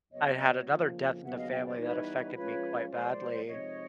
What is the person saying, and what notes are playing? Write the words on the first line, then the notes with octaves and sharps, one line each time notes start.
I had another death in the family that affected me quite badly,
F#2 C#3 F#3 B3 C#5 D#5
F2 C#3 F3 A#3
D#2 C#3 F#3 B3 E5 F#5
D#5 F5
F5 G5
C5 D5
E3 G3 B3 D#4 B4 C#5
F3 G#3 C#4 F4 B4 C#5
A#2 F3 G#3 C5 D5
C3 F3 G#3 C4 D#4 C#5 D#5